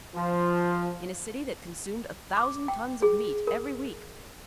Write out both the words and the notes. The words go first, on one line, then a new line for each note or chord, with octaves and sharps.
In a city that consumed a thousand tons of meat every week!
F3
D6
G5
G#4
A#4